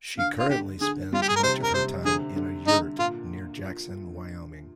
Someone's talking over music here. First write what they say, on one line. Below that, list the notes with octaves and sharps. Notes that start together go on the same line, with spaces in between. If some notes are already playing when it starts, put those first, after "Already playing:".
She currently spends much of her time in a yurt near Jackson, Wyoming.
D3 F5
F4
D3 G4
D3 G#4
G3 F4
G4
G#4
A#4
C3 C5
A#4
C3 C5
D3 G#4
D3
D3 D#4
A#2 F4